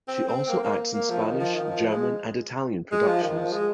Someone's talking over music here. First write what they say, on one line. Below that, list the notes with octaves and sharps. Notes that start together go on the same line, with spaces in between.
She also acts in Spanish, German, and Italian productions.
C4
C4
A#3
A#3
A#3
F3
D#3
F3
D#3
F3
G#3
G#3
F3
D#3
F3
G#3